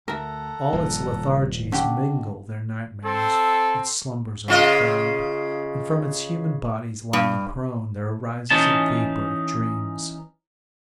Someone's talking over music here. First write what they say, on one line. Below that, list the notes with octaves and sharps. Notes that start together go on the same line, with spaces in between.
All its lethargies mingle their nightmares, its slumbers are a crowd, and from its human bodies lying prone there arises a vapour of dreams.
D2 A4 A#4 E5 F#5 A#5
D#1 G2 F3
B2 D3 C#4 D4 G4 C6
C4 A4
C#3 F4 D#5
G2
E3 C#4 D#4 A5